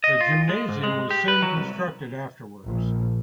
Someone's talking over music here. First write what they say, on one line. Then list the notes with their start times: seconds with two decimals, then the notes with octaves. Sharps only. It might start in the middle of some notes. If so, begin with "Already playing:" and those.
The gymnasium was soon constructed afterwards.
0.04 D#5
0.21 F4
0.49 G#3
0.69 G#2
0.83 G#3
1.11 G4
1.28 B4
1.42 F#3
1.57 C2
2.66 A#1